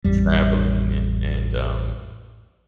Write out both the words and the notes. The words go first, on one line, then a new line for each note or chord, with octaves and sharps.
traveling and and, um,
A1 F2 G3